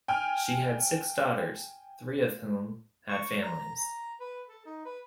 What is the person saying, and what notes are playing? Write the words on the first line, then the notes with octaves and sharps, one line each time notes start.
She had six daughters, three of whom had families.
G5 G#5 F6
C#6
A#5
A#5
B4
A4
D#4
B4